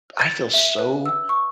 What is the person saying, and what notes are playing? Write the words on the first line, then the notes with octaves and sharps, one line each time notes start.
I feel so
A6
E5
B4
E6
C#6